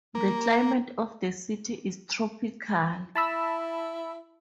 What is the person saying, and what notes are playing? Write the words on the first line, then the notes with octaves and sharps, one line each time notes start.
The climate of the city is tropical.
A#3
E4 A5 B5 E6